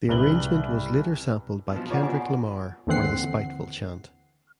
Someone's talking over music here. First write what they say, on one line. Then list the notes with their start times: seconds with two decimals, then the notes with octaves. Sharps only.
The arrangement was later sampled by Kendrick Lamar for The Spiteful Chant.
0.09 C2 C#3 B4 F#7 G7
1.72 B2 F3
1.90 F4 G4 C#5 D5 F#5
2.03 B2 F#4 G#5
2.87 D#2 D3 E3 C4 F#5 C7